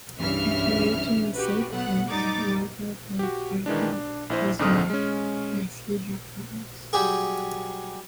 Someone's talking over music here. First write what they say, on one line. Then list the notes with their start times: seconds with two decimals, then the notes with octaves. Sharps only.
After reaching a safe place, Warbow gave Arkon his map as he had promised.
0.17 C2 G2 C#3 E3 E5 F6
1.35 F#4 G4 B4
1.69 B1 F#3 A3 B3 F#5
2.08 F#2 G3 D#4 D6 A6
3.19 F#4 G4
3.66 D#3 E3 G#3 D4
3.93 D4
4.30 A#1 E4 C5
4.59 A#1 G#2 D3 C4 D#6 F6
4.90 G#3 C#4
6.93 F#3 G3 G4 G#4